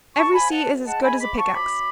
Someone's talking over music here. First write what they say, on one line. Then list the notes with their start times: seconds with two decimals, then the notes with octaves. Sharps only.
Every sea is as good as a pickaxe.
0.16 F#2 A5 C#6
0.34 G#5 B5
0.40 F3
0.51 F#5 A5
0.63 F#2
0.86 G#3 F#5 A5
1.03 G#5 B5
1.09 G#3
1.20 B5 D6
1.32 F3
1.38 A5 C#6
1.55 F#2 B5 D6